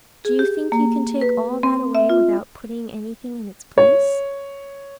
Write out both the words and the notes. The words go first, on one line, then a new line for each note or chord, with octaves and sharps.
Do you think you can take all that away without putting anything in its place?
G#4
G4
A#3
B4
C4
E5
F4
C#5